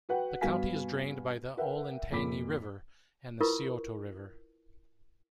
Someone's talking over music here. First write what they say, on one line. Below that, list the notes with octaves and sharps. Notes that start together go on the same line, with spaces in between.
The county is drained by the Olentangy River and the Scioto River.
F#4 B4 F#5 G5
G2 B3 F#4 F5 G#5 B6
A#4 B4 E5 F#5 G5
F2 A#2 B5 D6 B6
E4 F4 A#4 B4 C#6